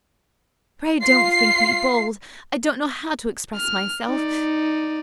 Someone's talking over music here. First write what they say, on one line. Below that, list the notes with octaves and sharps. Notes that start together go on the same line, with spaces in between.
Pray don't think me bold; I don't know how to express myself.
F4 C7
F6
D#4 D5